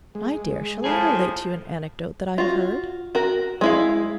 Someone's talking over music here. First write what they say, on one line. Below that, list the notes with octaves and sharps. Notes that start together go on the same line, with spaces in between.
"My dear, shall I relate to you an anecdote that I have heard?"
G#3
F2 A2 F3 G#4 A5
F4 F#4
F#4 A#4
G#3 E4 F5